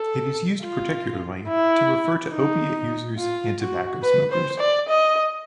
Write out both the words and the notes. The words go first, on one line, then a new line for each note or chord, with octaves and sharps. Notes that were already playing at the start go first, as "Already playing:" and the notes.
It is used particularly to refer to opiate users and tobacco smokers.
Already playing: A4
F4
E4
D#4
F4
F#4
B4
C5
D5
D#5